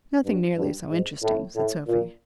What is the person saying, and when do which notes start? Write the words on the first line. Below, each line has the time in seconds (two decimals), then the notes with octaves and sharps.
"Nothing nearly so interesting," said Sophy.
0.24 G2
0.57 G2
0.89 G#2
1.22 A2
1.55 A2
1.87 A#2